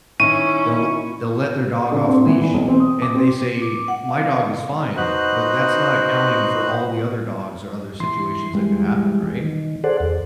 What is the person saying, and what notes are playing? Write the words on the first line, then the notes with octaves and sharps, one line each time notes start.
they'll they'll let their dog off leash, and they say, "My dog is fine," but that's not accounting for all the other dogs, or other situations that could happen, right?
D#3 C#4 E4 C#6 D#7
D3
C4
E3
E3
B1
C4
D#6
D6
C4
D6
F#5
F5
D#4 F#4 B4 C5 F#6
E3 C6
E3 G3 G#3
D#3
G#4 A4 C5 D5 F#5
E2